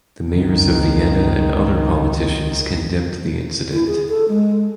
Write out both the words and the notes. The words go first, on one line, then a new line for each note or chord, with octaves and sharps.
The mayors of Vienna and other politicians condemned the incident.
C#2 D#3
E4
G#4
A4
G#3